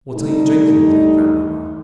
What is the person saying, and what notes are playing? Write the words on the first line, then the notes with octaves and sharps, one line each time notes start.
"What are you drinking, dear grandmamma?"
G3 A3 D4 D#4